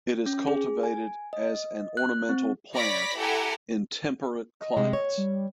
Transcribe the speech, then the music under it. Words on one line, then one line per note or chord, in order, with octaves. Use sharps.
It is cultivated as an ornamental plant in temperate climates.
C#4
G#4
G#5
D#5
F#6
C4
C#5 D5 B5 D6 A#6 B6
E4 G4 A4 F#5 G#5 A#5
D#5
C3 G#3
C#5
G3